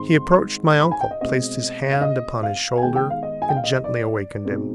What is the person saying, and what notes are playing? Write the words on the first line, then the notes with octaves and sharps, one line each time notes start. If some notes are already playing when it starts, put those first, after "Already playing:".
He approached my uncle, placed his hand upon his shoulder, and gently awakened him.
Already playing: G#2 D#3 G#3 C4 D#4 C6
B5
G#5
G5
D#5
B2 G#3 C4 D#5
F5
D#5
F5
G#5
D#3 G#3 B3 G5
G5
F5
D#5
G#5
G5
F5
D#5
D5
B2 G#3 C4 D#4